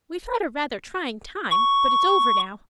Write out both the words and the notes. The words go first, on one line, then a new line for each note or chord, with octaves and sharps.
We've had a rather trying time but it's over now.
C#6